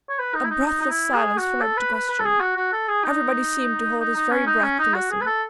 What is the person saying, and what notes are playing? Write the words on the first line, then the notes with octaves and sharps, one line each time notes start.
A breathless silence followed the question--everybody seemed to hold his very breath to listen.
C#5
B4
D#4
E4
D#4
D#4
D#4
E4
G#4
F#4
A4
B4
B4
B4
A4
G#4
F#4
F#4
A4
G#4
D#4
D#4
D#4
C#4
D#4
C#4
D#4
F#4
G#4
B4
A4